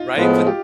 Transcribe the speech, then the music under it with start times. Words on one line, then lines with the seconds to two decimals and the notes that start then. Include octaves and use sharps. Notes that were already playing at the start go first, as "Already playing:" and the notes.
Right, but
Already playing: D#4 F4
0.17 A2 F3 G#3 B3
0.46 F4 G4